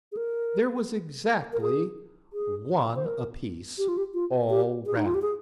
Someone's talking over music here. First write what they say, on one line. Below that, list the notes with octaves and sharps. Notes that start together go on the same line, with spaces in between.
There was exactly one a-piece all round.
G#4
A#4
A#4
G#4
G#4
C5
A#4
G4
F4
G4
F4
G4
G#4
D#4
F4
G4
G#4